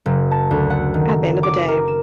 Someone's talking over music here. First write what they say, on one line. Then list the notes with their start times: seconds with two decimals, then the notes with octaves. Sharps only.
At the end of the day.
0.06 F#1
0.31 A5
0.51 D2
0.70 F#5
0.94 D#3
1.43 D6
1.68 A#4
1.88 E7